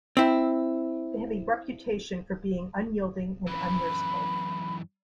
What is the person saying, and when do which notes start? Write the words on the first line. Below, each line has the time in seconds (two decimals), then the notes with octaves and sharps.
They have a reputation for being unyielding and unmerciful.
0.17 C4 E4
3.47 F#2 E3 B5